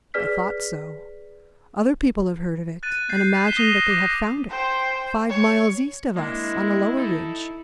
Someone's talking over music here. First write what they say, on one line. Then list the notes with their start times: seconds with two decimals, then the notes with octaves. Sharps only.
I thought so. Other people have heard of it, and imagine that they have found it--five miles east of us--on a lower ridge.
0.14 G#4 B4 D5 F6 B6
2.83 F#6 A6 D#7
3.09 G6 A6 C7
3.44 B6 C7 E7 G7
3.57 D#6 A#6 D#7 F7
3.90 D6
4.50 C5 G5
5.29 C#5
6.16 G#3 A#3 D4 E4
6.97 D#4 A4